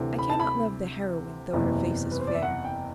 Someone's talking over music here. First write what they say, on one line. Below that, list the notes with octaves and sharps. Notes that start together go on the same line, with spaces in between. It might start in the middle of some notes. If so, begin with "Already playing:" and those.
I cannot love the heroine, though her face is fair.
Already playing: D2 C3 E3
B5
A5
B5
F#1 E2 C3 E3
B4
C5
D5
E5
F#5
G5